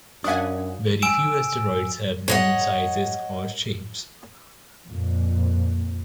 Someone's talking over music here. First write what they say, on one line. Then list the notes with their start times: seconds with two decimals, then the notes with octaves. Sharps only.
Very few asteroids have known sizes or shapes.
0.24 F#2 D4 F5 F#5 G#5 D#6
1.02 G#5 E6 D7 E7
2.28 C#5 D#5 F#5
4.86 F2 A#2